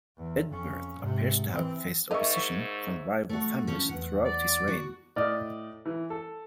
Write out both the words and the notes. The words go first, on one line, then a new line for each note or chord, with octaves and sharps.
Eadberht appears to have faced opposition from rival families throughout his reign.
E2
F2 C#4
G#2 C3
E3 C4
G#2 A#4 C#5 D#5 E5 D6
A3 F#4
F3 C#4
E2 F#5
D5
F#4
A2 D5 D#5 F6
E3
A4